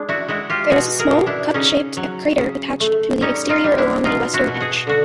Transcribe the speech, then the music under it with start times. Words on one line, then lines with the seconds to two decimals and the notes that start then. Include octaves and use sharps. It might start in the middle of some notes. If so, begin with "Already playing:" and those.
There is a small, cup-shaped crater attached to the exterior along the western edge.
Already playing: G#3 D4
0.09 E4 F#4
0.28 G#3 E4 F#4
0.50 F4 G4
0.71 B2 F#4 G#4
0.99 G#4 A#4
1.12 B2
1.26 D4 E4
1.54 C#3 C#4 D#4
1.97 F#3
2.39 C#3
2.80 A3
3.21 G3 C#4 D#4
3.49 D#4 F4
3.64 G3
3.78 D4 E4
4.05 B2 D#4 F4
4.33 E4 F#4
4.48 B2
4.60 F#4 G#4
4.87 D3 F#4